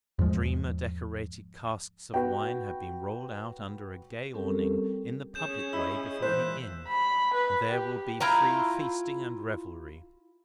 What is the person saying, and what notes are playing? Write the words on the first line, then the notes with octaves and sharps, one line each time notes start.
Streamer-decorated casks of wine have been rolled out under a gay awning in the public way before the Inn, and there will be free feasting and revelry.
E2 G#2 F3 G#3
F#4 B4 G5
G3 C4 C#4 G4 A4 A#4
C#4 G#4 G6 E7
E4 D#5 E6
A#2 E3 G#3 C5 F#6 B6 E7
B5
B4
G4
E4 F4 G5 A#5